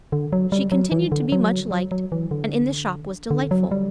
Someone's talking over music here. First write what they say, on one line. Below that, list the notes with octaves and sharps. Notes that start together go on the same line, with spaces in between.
She continued to be much liked, and in the shop was delightful.
D3
F#3
G3
F#3
E3
D3
F#3
F#3
F#3
E3
D3
D3
F#3
G3